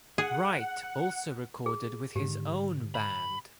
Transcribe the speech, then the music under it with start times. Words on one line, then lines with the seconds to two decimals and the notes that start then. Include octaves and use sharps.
Wright also recorded with his own band.
0.18 G#4 F#5
1.66 G#4
2.16 G#2 D3 D#3 G4
2.95 B5